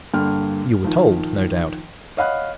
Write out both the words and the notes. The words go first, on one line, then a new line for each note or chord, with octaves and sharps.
"You were told, no doubt."
G2 D3 A#3 G5 F6
D#3 F3
C#5 D#5 F5 F#5 B5 F#6